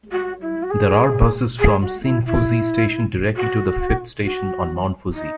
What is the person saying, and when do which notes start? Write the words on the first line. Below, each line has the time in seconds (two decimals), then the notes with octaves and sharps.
There are buses from Shin-Fuji Station directly to the fifth Station on Mount Fuji.
0.12 F#4
0.41 E4
0.63 F#4
0.70 G#4
1.59 G#4
1.82 F#4
2.03 E4
2.26 E4
3.36 F#4
4.24 F#4
5.13 D#4